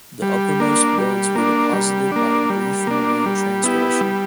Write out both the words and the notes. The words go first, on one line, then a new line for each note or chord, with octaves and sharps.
The uppermost beds were deposited by a brief marine transgression.
G3
A#3 D4
G3
A#3 D4
G3
A#3 D4
G3
A#3 D4
G3
B3 E4 G4
G3